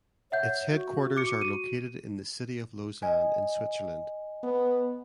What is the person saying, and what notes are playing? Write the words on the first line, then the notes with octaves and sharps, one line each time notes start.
Its headquarters are located in the city of Lausanne in Switzerland.
C#5 E5 F#5 G6
F#4
F#4 D6 C#7
D#7
D#5 G#5
B3